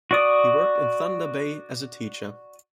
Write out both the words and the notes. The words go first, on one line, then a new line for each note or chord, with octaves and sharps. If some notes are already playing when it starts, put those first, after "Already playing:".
He worked in Thunder Bay as a teacher.
F#4 D5 D#6